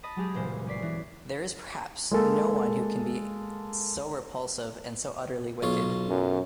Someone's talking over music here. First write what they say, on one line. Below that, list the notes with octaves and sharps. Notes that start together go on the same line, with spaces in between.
There is perhaps no one who can be so repulsive and so utterly wicked.
D#5 A5 B5 D#6
F#3 G#3 G4 G#4
E1 C#2 G2 A#2 G#3 C5
C#4 D5 B6 C7
E3
G#3 A#3 A4
B1 F4 C#5
F#2